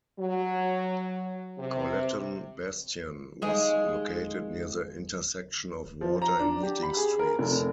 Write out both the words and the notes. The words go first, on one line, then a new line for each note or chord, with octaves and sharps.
Colleton Bastion was located near the intersection of Water and Meeting Streets.
F#3
C3
D#2 G#3 G#4
F3
A#5
D4
G4
B5
G#4
A#4
F1